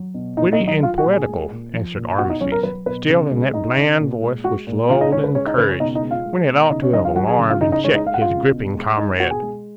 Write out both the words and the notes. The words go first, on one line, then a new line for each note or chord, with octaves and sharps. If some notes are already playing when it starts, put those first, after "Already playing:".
'Witty and poetical!' answered Arbaces, still in that bland voice which lulled and encouraged, when it ought to have alarmed and checked, his griping comrade.
Already playing: F#3
B2
A#2 D#4 D#5
D#4 D#5
F#3
D#4 D#5
F#3 F4 F5
F#4 F#5
A#2
G#4 G#5
G#3
A#2
F3
A#2
B2 F#4 F#5
D#4 D#5
F#3 C#4 C#5
A#4
F#3 B4
B2 B4
C#3
G#3
G#3 D#4 D#5
C#3
A#2
G#3
G#3 F#4 F#5
A#2
C#3 F4 F5
D#4 D#5
G#3 C#4 C#5
B4
G#3 C#4 C#5
D#4 D#5
C#3 B4
C#4 C#5
B2 D#4 D#5
D#4 D#5
G#3
F4 F5
G#3
B2
C#3 D#4 D#5
C#4 C#5
F#3 D#4 D#5
F4 F5
F#3 F#4 F#5
G#4 G#5
C#3
F4 F5
C#3 D#4 D#5
D#4 D#5
G#3 C#4 C#5
D#4 D#5
G#3 F5
F#5
F4 F5
C#3
B2
G#3
G#3 D#4 D#5
B2 F#4 F#5
G#4 G#5
G#3